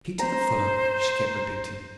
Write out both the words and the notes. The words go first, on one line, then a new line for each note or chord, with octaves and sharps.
"Peter the fuller!" she kept repeating.
C5 A#5